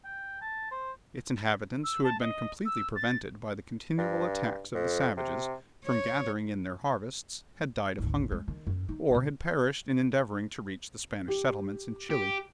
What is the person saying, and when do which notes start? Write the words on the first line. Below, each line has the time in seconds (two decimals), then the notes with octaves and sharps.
Its inhabitants, who had been completely prevented by the continual attacks of the savages from gathering in their harvests, had died of hunger, or had perished in endeavouring to reach the Spanish settlements in Chili.
0.04 G5
0.42 A5
0.71 C5
1.84 E6
2.04 A5
2.20 D#5
2.65 E6
2.96 A6
3.98 G2
4.75 F2
5.17 C3
5.85 C#5
7.98 G#1 D2
8.32 G#3
8.48 D#3
8.67 F#2
8.89 D#4
9.10 D2 B2
11.28 G4
12.10 G4